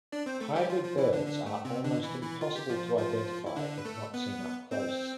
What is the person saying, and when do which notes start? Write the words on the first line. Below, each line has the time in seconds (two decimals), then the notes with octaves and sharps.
Hybrid birds are almost impossible to identify if not seen up close.
0.12 D4 D5
0.26 C4 C5
0.40 A3 A4
0.55 G3 G4
0.69 F3 F4
0.84 F3 F4
0.98 E3 E4
1.13 D3 D4
1.27 D3 D4
1.46 A3
1.65 C3 C4
1.84 D3 D4
2.03 E3 E4
2.22 E3 E4
2.41 F4
2.56 G4
2.70 F3 F4
2.98 F3 F4
3.46 E4
3.56 D3 D4
3.78 B4
3.85 A3 A4
4.13 B3 B4
4.71 C4 C5